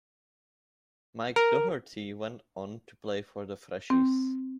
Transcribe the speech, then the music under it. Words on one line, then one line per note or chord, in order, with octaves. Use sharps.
Mike Doherty went on to play for The Freshies.
A#4
C4